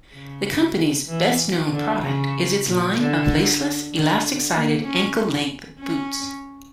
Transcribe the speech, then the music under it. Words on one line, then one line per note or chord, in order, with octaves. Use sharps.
The company's best-known product is its line of laceless, elastic-sided, ankle-length boots.
C#3
E3
D3
C#3
A#2
D3
D3
A#3
C#4
C#4